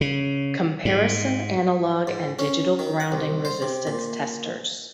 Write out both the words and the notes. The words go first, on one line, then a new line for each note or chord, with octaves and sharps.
Comparison analog and digital grounding resistance testers.
C#3
G#2
G#2
C#4
D#3
F#5
C2
C5
C3
A#2